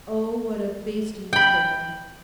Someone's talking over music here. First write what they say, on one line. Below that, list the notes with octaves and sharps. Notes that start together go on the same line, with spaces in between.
Oh, what a basting's there!'
G5 B5